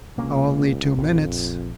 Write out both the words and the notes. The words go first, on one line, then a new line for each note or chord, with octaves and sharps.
"Only two minutes."
C#2 C3 A#3 C#4
A#1 F2